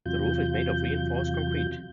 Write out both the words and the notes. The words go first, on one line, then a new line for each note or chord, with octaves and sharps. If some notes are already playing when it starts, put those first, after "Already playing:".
The roof is made of reinforced concrete.
E2 C3 F#3 F4 G6